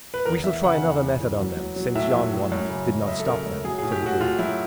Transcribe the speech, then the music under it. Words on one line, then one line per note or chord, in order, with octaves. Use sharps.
"We shall try another method on them, since yon one did not stop them," said the druid.
B4
E2 A#4
E2 E5
C#3 F#5
E2 F5
E2
E3
F#3
F#3
F#3
A2 E5
F#3
A2
F#2
C#3
F#2
D#5
F#2 E5
A4
C#3 A#4
F#2
F#3 G#4
G#4
A2
G4
A2 F#4
A2 F4
F#3 E4